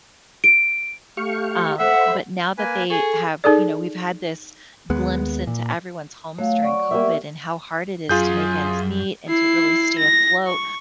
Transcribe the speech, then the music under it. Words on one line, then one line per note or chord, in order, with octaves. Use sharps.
um, but now that they have, you know we've had this glimpse into everyone's homes during COVID and how hard it is to make ends meet and to really stay afloat,
D7
A3 G4 F5 C#6
A4 C5 E5 F#5 B5
A#3 B4 G#5
G#4 A4 C#6
D#4 G#4 A4 D5
D#2 G#3 B3
A#2
F#3 A3 F5
D5 F#5 C#6
A#3 G4 E5
F#2 F4 G#4 G6
E4 C7
A#6
C#6